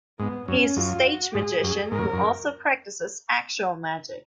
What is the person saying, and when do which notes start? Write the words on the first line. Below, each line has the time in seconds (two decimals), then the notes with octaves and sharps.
He is a stage magician who also practices actual magic.
0.19 G#2 B3
0.48 F#2 C#4
0.76 F#2 F4
1.06 F#4
1.34 G#2 G#4
1.63 F#2
1.91 G#2 A#4
1.99 F#2
2.13 F#2